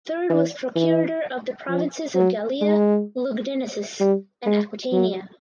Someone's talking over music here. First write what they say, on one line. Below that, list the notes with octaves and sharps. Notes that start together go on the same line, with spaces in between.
Third was procurator of the provinces of Gallia Lugdunensis and Aquitania.
E3
E3
F3
F#3
G#3
G3
G#3
F#3